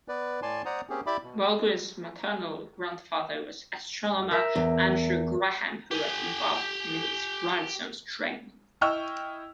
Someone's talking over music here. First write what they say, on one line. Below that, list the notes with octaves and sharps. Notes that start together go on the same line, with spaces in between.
Baldwin's maternal grandfather was astronomer Andrew Graham who was involved in his grandson's training.
B3 B4 D5
A2 D5 G#5 A5 C6
C5 D5 F#5 A#5 D#6
A#3 C4 C#4 G4 G#4
E4 G4 D5 E5 B5 D6
B2
A#4 E5
E2
G4 G#5
E4 D#5 G5 C#6 E6 F6